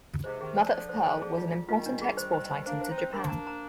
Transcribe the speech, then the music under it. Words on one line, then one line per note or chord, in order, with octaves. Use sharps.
Mother of pearl was an important export item to Japan.
G#2 C3 C5
C3 D#3 G#4
D3 F3 C5
C5
C5
C5
G#4
F4
F4
D#3 G3 F4
D4
G#4
C5
C5
C5
A#3 D4 C5
C5
C4 D#4
C5
A#3 D4 A#4
A#5
A#5